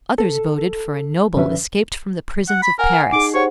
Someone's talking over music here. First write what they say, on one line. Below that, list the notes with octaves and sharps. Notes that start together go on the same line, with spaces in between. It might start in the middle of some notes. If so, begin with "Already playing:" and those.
Others voted for a noble escaped from the prisons of Paris.
A4
F#2 D3 F3 C#4 B4 E5
F#5
B5
A#4 F#5 G#5
C7
D#4 G#4 D6
G4 C5 C#5 F#5